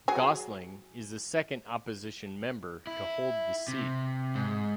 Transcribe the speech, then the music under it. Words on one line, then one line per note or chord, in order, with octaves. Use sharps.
Gosling is the second opposition member to hold the seat.
F#3 G#4 G#5
E4
C3
G#2